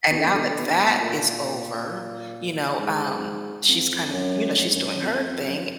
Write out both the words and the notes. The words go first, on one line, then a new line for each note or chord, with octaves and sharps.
And now that that is over, you know, um, she's kind of, you know, she's doing her thing.
B2
D3
B2
D3
B2
D3
B2
D3
B2
A#2
G#2
F2
F#2
F#2
G#2
F#2
F2
F#2